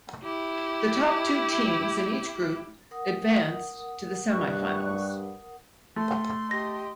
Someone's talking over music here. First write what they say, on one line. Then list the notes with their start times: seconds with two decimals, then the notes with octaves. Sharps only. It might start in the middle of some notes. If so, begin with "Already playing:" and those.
The top two teams in each group advanced to the semi finals.
0.23 E4 G4
2.91 A#4 F#5 D#6
4.31 G2 G3 C#6 F#6
5.96 A3 C6
6.51 G4 D#5 A#6